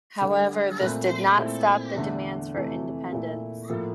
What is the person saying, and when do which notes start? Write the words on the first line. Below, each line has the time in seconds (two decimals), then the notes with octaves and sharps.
However, this did not stop the demands for independence.
0.21 D2 D3 G3
0.80 A#2 A3 C4
1.38 A#2 A3 C4 E4
1.95 E2 D3 A3
2.54 F2 C3 E3 A3
3.12 A#2 A3 E4
3.69 A2 F3 A#3